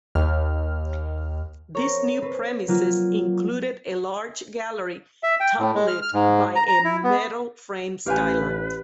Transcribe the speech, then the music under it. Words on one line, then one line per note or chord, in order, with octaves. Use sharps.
These new premises included a large gallery top-lit by a metal framed skylight.
D#2 F6
C4 A#4 C#5
C4 B4
F#3 A#3 F4
E5
G5
A2
G#3
F6
F6
G#2
A#5
A#5
E4
B3
A1 G4 A#4 B4 F5 G#5 C6